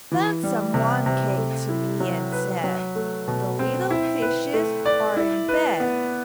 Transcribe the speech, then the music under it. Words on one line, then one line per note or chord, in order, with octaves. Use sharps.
Then some one came to me and said, "The little fishes are in bed."
E3
G3
C3
C3
A3
E4
F#3
B4
F#3
A3
B2
C4
E4
B4
A3
D5
E4
B4
B3